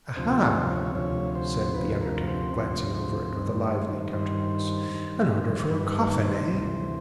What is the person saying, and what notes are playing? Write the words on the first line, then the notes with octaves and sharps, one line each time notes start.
'Aha!' said the undertaker, glancing over it with a lively countenance; 'an order for a coffin, eh?'
D2 C3 F3 C5
C5
C#5
D2 C3 F3 C#5
C5
D2 C3 F3 B4
A#4
C5
D2 C3 F3
G2 D#3
G2 D#3 C5
G2 D#3
G2 D#3 B4
B4
C5
D2 C3 E3